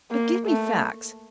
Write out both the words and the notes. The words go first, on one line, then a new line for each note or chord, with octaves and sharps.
But give me facts.
A#3
A3